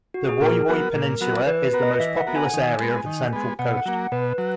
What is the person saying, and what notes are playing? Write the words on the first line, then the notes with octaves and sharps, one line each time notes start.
The Woy Woy Peninsula is the most populous area of the Central Coast.
F#4
G#4
A#2 A#4
F#3 B3 F#4
A#2
F#3 B3 F#4
E3 B4
B4
B3 F#4 A#4
D#5
E3 E5
F#5
B3 F#4 A#4
G#5
D#3
G#3 B3
D#3
G#3 B3
B2 F#5
F#5
F#3 A#3
B2 B4
F#3